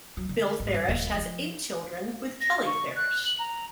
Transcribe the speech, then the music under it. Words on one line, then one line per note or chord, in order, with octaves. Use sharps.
Bill Farish has eight children with Kelley Farish.
F#3
D3
G#1
G2
D#1
F3
A#6
C#6
F#6
F#7
A#5